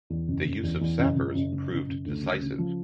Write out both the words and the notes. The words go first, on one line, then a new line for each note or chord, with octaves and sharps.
The use of sappers proved decisive.
E2
F#1
F#1
E2
E2
F#1
F#1
F#1
C#3
F#1
F#1
D2
C#3
C#3
F3